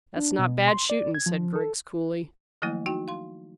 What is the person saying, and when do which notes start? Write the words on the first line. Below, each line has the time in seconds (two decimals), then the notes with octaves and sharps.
"That's not bad shooting," said Griggs coolly.
0.17 D4
0.39 B2
0.68 C6
0.90 D5
1.14 G#6
1.26 F3
1.55 A4
2.62 D#3 F3 F#3 A3 A#3 E4
2.86 D#4 F#4 G5
3.08 F5 C6